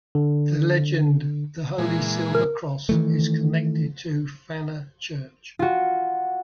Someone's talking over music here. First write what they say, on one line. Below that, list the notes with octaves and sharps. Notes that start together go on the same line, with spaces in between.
The legend "The Holy Silver Cross" is connected to Fana church.
D3
A#2 E3 G#3
A#4
D#3 E3 A3
F4 F#4